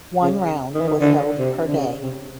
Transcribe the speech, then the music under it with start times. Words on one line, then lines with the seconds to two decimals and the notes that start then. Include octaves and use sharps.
One round was held per day.
0.22 C#3
0.74 D#3
0.81 E3
0.88 D#3
1.01 D3
1.39 C3
1.67 D3
1.77 C#3
2.03 C3